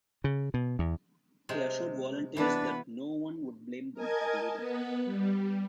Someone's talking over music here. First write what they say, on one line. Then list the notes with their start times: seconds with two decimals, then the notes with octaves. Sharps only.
He assured volunteers that no one would blame them for leaving.
0.24 C#3
0.54 B2
0.79 E2
1.49 C3 G#3
2.37 E3 B3 D4 E4 B4
3.94 A#4 D#5 G#5 A5 G#6
4.57 B3 B4
5.05 G3